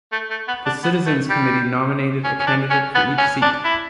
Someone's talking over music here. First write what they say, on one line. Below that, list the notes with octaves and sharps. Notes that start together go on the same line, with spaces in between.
The Citizens' Committee nominated a candidate for each seat.
A3
A3
B3
D4
B3
A3
G3
C#4
C#4
D4
C#4
B3
C#4
D4
E4